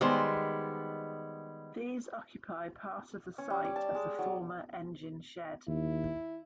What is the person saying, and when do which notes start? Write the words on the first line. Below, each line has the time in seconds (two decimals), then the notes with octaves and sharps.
These occupy part of the site of the former engine shed.
0.01 D#3 G3 G#3 B3 C5
3.38 C#4
3.50 G3
3.65 D5
3.76 A5
3.95 G#3
4.19 F#3
5.67 D#2 E4